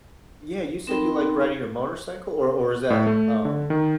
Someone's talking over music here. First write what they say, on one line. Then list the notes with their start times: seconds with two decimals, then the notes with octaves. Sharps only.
Yeah, you said you, like, riding your motorcycle, or or is that um
0.87 C4 D#4 A#4 G5 B5 C6
2.90 A2
3.07 A3
3.45 D3
3.70 D#3